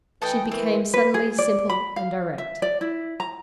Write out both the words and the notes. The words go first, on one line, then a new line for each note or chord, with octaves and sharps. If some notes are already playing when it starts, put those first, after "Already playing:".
She became suddenly simple and direct.
E3 A3 A4 D#5 G5
C4 A#4
B4
G#4
D5
B5
F5
E5
D5
E4
A#5